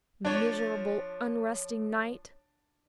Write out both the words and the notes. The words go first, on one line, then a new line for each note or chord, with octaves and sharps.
Miserable, unresting night!
F3 D4 C#5